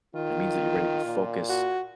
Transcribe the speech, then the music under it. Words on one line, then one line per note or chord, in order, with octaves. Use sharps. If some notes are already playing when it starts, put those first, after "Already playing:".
It means that you're ready to focus
D#3 F4
A#2
F#4